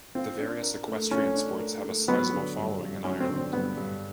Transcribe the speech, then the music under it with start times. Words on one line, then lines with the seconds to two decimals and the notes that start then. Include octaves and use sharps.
The various equestrian sports have a sizeable following in Ireland.
0.15 C4 F4
0.39 D4
0.63 A#4
0.88 A3
1.11 C#4 F4
1.35 D4
1.59 A#4
1.84 A3
2.08 F#3 B3
2.32 D3
2.56 G2
2.80 G2
3.05 F#3 C#4
3.20 C4
3.28 D3
3.36 C4
3.53 G2 B3
3.77 G2